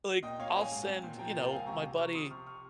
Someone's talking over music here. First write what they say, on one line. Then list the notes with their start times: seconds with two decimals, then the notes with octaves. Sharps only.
like, I'll send you know, my buddy,
0.22 A#2 D#5 G5
0.39 A#2 C#5 F5
0.54 C#4 F5 G#5
0.71 G#2
0.88 C4
1.04 A#2
1.19 F3 G5 A#5
1.35 A#3
1.40 G5 A#5
1.50 C#2 F5 G#5
1.66 C3 A#5 C#6
1.82 C3
1.99 F3 C#6 F6
2.15 C3 C6 D#6
2.30 C3 C#6 F6
2.46 C#6 F6